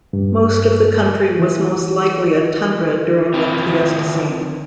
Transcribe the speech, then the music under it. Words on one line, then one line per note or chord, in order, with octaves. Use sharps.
Most of the county was most likely a tundra during the Pleistocene.
G2
E3
D#3 C4 E4 F4